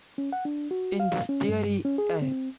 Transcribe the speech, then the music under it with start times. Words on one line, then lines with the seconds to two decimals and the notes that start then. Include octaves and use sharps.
In this theory I.
0.18 C#4
0.33 F#5
0.45 D4
0.71 F#4
1.00 F5
1.29 C#4
1.49 G2
1.85 C#4
1.98 G#4
2.22 C4